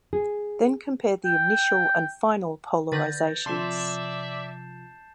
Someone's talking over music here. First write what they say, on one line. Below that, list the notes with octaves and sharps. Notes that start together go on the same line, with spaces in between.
Then compare the initial and final polarizations.
G#4
G5
D3 B4 G6 A6 A#6
C3 F3 D5 E5 A5 C6 C7 E7